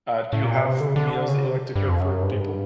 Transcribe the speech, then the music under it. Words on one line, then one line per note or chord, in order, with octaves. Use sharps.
uh, do you have meals that you like to cook for people?
A2
A#2
B2
C3
D3
C#3
D3
C#3
C3
G2
F2
F#2
G2
G#2
G2